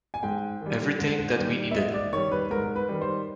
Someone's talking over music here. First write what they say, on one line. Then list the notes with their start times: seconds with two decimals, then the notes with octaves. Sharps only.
Everything that we needed.
0.14 G#5
0.23 G#2 G5
0.61 D#3 G3
0.99 G#2
1.37 D#3 G3
1.71 E5
1.74 G#2 D#5
1.94 D5
2.13 D#3 G3 C#5
2.32 B4
2.50 G#2 A#4
2.76 B4
2.89 D#3 G3
3.01 C5